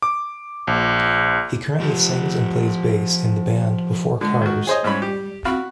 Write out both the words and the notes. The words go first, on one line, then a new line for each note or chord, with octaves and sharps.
He currently sings and plays bass in the band Before Cars.
D6
A#1
F3 G4
D3 G#3
D#3 F#4
G#4 C5 C#5 D#5
G#2 G3 C#4 B5
G4
C4 F#4 F5 B5